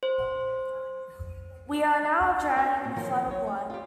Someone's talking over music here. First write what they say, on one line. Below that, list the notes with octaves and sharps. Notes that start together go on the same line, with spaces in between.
We are now drowning in a flood of blood...
C5
B3 F#4 G#5
A#2 F#4
D#3 F3 F#3 A#3
C#5
A3
F4 G4